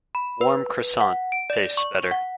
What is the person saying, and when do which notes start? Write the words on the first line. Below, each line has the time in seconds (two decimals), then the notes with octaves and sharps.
Warm Croissant tastes better.
0.15 B5
0.41 B4
1.01 F#5
1.32 D7
1.50 D5
1.77 C#6
2.11 F#5